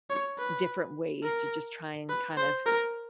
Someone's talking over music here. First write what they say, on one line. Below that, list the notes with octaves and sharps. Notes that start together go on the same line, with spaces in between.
different ways to just try and kind of
C#5
B4
A#4
B4
C5
A#4